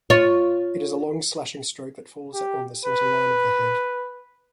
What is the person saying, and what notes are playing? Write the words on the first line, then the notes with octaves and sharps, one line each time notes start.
It is a long slashing stroke that falls on the centre-line of the head.
F4 C#5
G4
B4